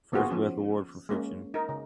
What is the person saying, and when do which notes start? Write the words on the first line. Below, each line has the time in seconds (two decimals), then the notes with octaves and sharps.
First Book Award for Fiction.
0.12 D3 A#3 B3 F4 F#4 G#4
0.30 F3 C#4
1.09 G#3 A#3 C#4
1.54 D#4 A#4
1.69 C#3